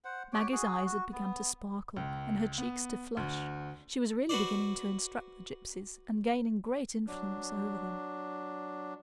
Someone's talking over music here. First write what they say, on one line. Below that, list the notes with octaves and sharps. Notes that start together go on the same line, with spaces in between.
Maggie's eyes had begun to sparkle and her cheeks to flush,--she was really beginning to instruct the gypsies, and gaining great influence over them.
C5 F#5
F#4 G4 C#5 G5
F#4 G#4
F#4
B3
C#2
B3
D2
F#4 B4 C5 D5
F#3 D4